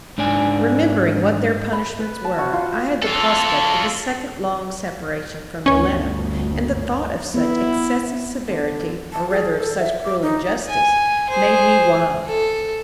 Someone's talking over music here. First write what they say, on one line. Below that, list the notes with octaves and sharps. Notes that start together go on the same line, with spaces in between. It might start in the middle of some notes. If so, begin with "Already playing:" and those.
Remembering what their punishments were, I had the prospect of a second long separation from Yoletta, and the thought of such excessive severity, or rather of such cruel injustice, made me wild.
G#2 D4 D5 G#5
B5
B4
A5
F#4
F4
F4 A4
G1 D2 C#4 C#5
B3 E4
D3
A5
G#4
A4
E5
D6
D#4
G#5
G#4 C5
A4